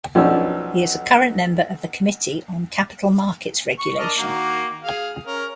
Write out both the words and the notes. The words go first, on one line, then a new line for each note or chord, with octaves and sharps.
He is a current member of the Committee on Capital Markets Regulation.
B1 F3 C#4 D4 C#5 E6
C#6
D4 A#4 D#5
D#3 A#3 F#4
G#4 F5
C#4 A#4